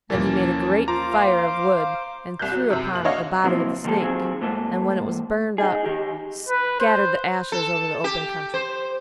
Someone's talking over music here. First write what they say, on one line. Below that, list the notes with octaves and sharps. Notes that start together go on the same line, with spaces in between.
Then he made a great fire of wood, and threw upon it the body of the snake, and, when it was burnt up, scattered the ashes over the open country.
D#2 E3 F3 A#3 C#4 G4 A#4 A5
F4 C5 A#5 D6
F5
C2 F#6 G6
F#3
F#2 C3
F#1 F#7
D4 C#5 D#5 F5 F#5
B2 F3 F#3 A#3 C4 E4
D3 F3 A#3 G4 A4
D#3 F#3 C4 F4 G#4
G#2 A3 A#3
D#4 G#4
D#3 G4
B4
C5
A4
G4
C5